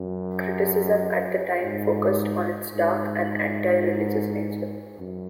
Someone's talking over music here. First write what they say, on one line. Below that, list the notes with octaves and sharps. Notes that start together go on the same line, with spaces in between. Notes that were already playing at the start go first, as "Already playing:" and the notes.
Criticism at that time focused on its dark and antireligious nature.
Already playing: F#2
G#2
G#2
F#2